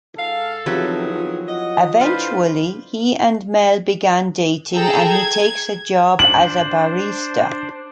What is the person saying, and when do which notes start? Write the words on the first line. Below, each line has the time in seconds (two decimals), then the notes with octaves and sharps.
Eventually, he and Mell begin dating and he takes a job as a barista.
0.18 G#2 A4 F5
0.66 F2 D#3 E3 F#3 B3 G4 G#4
1.10 F3
1.48 D#5 F#5
2.01 A2 D4 F4 B4 C5
4.73 G#4 A4 G5 A#5 E6
5.07 G#6
6.19 D4 C5 F#7